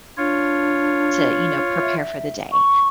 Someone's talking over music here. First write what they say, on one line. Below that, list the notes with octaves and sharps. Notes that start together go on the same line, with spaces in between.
to, you know, prepare for the day,
D4 F4 C#5
E5
C#6